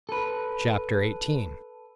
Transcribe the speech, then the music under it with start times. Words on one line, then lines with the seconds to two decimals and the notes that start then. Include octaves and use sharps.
Chapter XVIII.
0.09 A4 B4